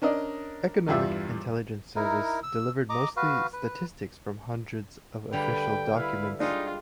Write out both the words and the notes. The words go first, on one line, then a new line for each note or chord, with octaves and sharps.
Economic Intelligence Service delivered mostly statistics from hundreds of official documents.
C#4 D4 A#4 D5 D#5
E2 G2 G3 F4 E5 E6
D#4 E4 A#4
E6
D#5 A#5 D6
F#4 B4 F5
B4
D3 G3 A#3 B4 G5
E4 B4 F5
G3 G#3 D4 D#4 F4 G#5